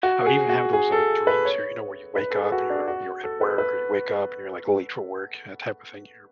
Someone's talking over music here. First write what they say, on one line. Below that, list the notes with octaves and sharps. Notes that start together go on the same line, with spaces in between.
I would even have those, uh, dreams here, you know, where you wake up and you're you're at work or you wake up and you're, like, late for work, that type of thing here
F#4
G#4
F#4
G#4
A4
B4
C#5
B4
A4
G#4
F#4
D4
F#4
A4
B4
B4